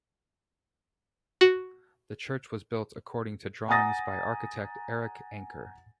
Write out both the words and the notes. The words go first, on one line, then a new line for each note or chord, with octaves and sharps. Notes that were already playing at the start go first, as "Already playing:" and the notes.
The church was built according to drawings by architect Erik Anker.
F#4
F#5 G#5 A#5 D#6 A6 A#6